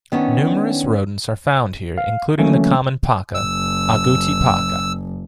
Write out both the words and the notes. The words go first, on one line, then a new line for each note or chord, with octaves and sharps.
Numerous rodents are found here including the common paca, "Agouti paca".
D#3 B3 C#4 D4
F5
D3 E3 F#3 A3 A#3 C#4
F#1 E6